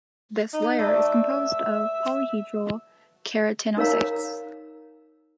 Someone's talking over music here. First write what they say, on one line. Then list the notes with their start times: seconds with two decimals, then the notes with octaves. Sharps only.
This layer is composed of polyhedral keratinocytes.
0.53 D#4
0.79 A3 B4 D5 E5
3.77 D#4 A#4 C#5 F5 A#5